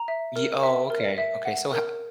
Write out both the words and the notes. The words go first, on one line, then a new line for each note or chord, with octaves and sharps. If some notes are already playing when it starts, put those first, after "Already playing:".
Y oh, okay, okay. So ho
Already playing: A#5
E5
A#4
E5
A#4
E5
F#5
A#4